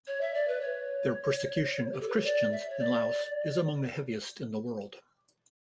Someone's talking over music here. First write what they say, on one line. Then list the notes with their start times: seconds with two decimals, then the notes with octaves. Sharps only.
Their persecution of Christians in Laos is among the heaviest in the world.
0.07 C#5
0.21 E5
0.34 D5
0.48 B4
0.61 C#5
1.92 G4
2.01 A4
2.09 B4
2.16 C#5
2.24 D5
2.52 E5
2.70 C#5
2.79 D5